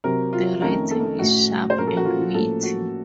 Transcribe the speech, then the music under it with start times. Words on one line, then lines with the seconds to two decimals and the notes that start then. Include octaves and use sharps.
The writing is sharp and witty.
0.04 C3 F#3 C4 A#4
0.33 F4
0.61 F2 D#3 A3 C#4 A#4
0.91 A4
1.19 A2 A3 C#4 F#4
1.70 C5
1.77 A#2 F#3 A#3 C#4 A#4
1.87 A4
1.97 F#4
2.05 F4
2.34 A2 F3 A#3 C#4 A4
2.63 F#4